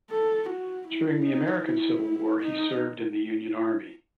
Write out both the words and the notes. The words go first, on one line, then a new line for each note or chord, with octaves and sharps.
During the American Civil War, he served in the Union Army.
A4
F#4
E4
D#4
E4
D#4